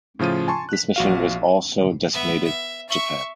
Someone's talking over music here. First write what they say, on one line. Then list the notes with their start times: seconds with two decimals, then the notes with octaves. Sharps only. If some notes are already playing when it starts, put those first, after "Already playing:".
This mission was also designated "Japan".
0.19 A2 C#3 F3 F4 D#7
0.48 G#5 A5 C6 C#6
0.69 F#6 B6
0.96 A#1 F#4 F5
2.13 B3 E5
2.44 E5
2.89 E5 C#6